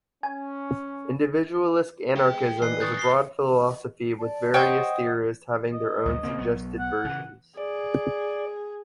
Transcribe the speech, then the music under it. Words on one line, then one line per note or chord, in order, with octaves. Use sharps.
Individualist anarchism is a broad philosophy with various theorists having their own suggested versions.
C#4 G#5
G#3 G4 G#4
G2 E3 D#5 G#5 F#6 C7
D#3 G#3 C#6 D#6 F#6 G6 A6
G4 A#6 C7 G7
D5 A5
C5 C#5 D#5 F#5 G5 D#6
D#5
D2 G2 F#3
C#3 A#3 C4
B1 F#3 B3
F#5
C#3 E3
G#4 D5